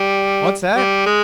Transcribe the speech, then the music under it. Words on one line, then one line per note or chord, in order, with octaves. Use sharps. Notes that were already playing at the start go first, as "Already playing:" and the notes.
"What's that?"
Already playing: G3
G3
G#3